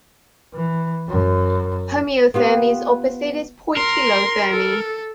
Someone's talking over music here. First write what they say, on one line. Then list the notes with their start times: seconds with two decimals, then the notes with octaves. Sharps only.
Homeothermy's opposite is poikilothermy.
0.54 E3
1.09 F#2
2.34 B3 F4 G4
3.77 A#4 C6
4.52 A4